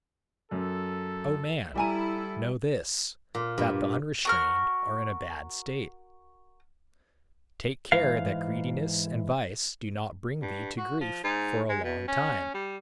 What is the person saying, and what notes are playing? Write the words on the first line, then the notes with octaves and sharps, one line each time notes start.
O man, know this, that the unrestrained are in a bad state; take care that greediness and vice do not bring thee to grief for a long time!
F#2 A4
G3 E4 A4 D5 G#5 A#5 D#7
A#2
G2
F#4 A#4 F6
G#2 E3 F5
G2
F#4
F3
G#2
G#3
B2
C#4
G3